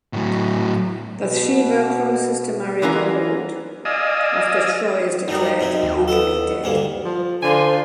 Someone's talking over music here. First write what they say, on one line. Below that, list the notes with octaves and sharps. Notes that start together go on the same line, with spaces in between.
Bathsheba promises to marry Boldwood after Troy is declared legally dead.
A2 F#3
B2
E3 A#3 B3 C#4 F4 A#4
D5 D#5 F5 G#5 D#6 E6
F#2 D#3 G3 D#4
F#2 C3 F#3
D#2
B3 A4
D2 G2 A#3
F3
D3 F4 C5 G#5 C6